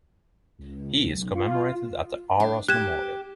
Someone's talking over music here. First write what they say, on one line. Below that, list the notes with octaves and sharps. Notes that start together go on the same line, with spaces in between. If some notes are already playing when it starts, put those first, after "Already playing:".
He is commemorated at the Arras Memorial.
C#2
B1
F4
D4
G4 F#6 G#6 E7